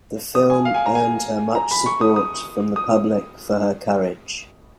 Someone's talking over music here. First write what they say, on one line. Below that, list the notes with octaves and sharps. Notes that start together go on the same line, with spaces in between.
The film earned her much support from the public for her courage.
D#6
G#5
F5
G#5
A#5
G#5
A#5
B5
C#6
D#6
D#6
D#6